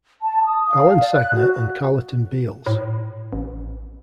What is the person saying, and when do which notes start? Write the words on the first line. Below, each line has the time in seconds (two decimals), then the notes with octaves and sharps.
Alan Sagner and Carleton Beals.
0.22 A5
0.44 D#6
0.69 F5
1.01 D5
1.15 F#6
1.35 F#4
2.66 A2
3.33 A1